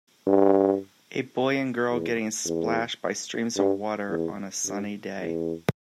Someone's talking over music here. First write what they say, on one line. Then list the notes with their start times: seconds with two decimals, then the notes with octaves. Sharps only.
A boy and girl getting splashed by streams of water on a sunny day.
0.27 G2
1.91 E2
2.46 E2
3.56 G2
4.10 E2
4.65 G2
5.20 E2